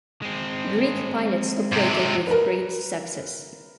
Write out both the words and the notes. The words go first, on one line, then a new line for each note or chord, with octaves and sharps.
Greek pilots operated with great success.
G#3 C4
G#2 C3
A#4 B4